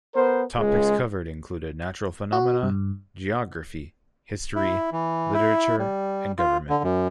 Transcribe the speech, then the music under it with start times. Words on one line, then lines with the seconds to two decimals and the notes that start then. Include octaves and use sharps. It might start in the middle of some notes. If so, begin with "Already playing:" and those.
Topics covered included natural phenomena, geography, history, literature and government.
0.15 B3 A#4 C5
0.58 C#2 G#3
2.33 F#4
2.63 G2
4.56 E4
4.92 E3
5.34 E4
5.79 G3
6.38 F4
6.69 D3
6.84 F#2